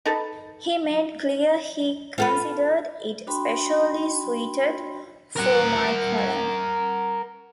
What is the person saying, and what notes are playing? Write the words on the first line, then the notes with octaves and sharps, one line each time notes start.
He made clear he considered it especially suited for my column.
D#4 A4 B4
F4 A4 B4
D4 F#4 G5 B5 C6
A#4 F#5